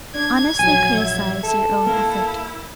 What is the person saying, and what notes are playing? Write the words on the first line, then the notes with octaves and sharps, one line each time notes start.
Honestly criticise your own effort.
D4 G#6
A#1 F#3 G#5
E5
A4
A#3 E4 A#4